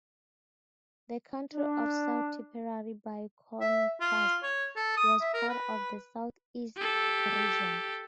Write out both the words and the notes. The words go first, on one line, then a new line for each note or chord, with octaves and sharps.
The county of South Tipperary, by contrast, was part of the South-East Region.
D4
E5
F4
C#5
A4
D#6
E5
A#4
B4
G4 A4